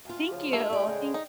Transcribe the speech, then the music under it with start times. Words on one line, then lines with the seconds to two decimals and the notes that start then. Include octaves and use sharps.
Thank you. Thank
0.05 D2 F4
0.31 C#3 F3
0.53 G2 A3
0.70 G3 E4 D5
0.87 A2 C#3 G#3 G5
1.14 D#4